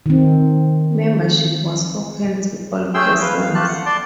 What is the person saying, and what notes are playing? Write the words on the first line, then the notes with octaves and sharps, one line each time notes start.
Membership was open to all persons.
D#3 C4
A3 C#4 G#4 G5 C6 E6
B4 F5
F5
A3 F4 G4 A5 F#6
F#5
D5 A5 C6 D6